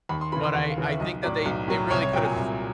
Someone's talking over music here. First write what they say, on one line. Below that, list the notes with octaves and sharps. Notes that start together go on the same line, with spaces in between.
But I I think that they they really could've
D#2 B5
C6
C#3 E3 B5
C6
D#2 F#5
F5
C#3 E3
E5
B1 D#5
A2 F#3 D5
B1
A2 F#3
C2 C#5
C#5
A#2 F#3 G5
G#5
C2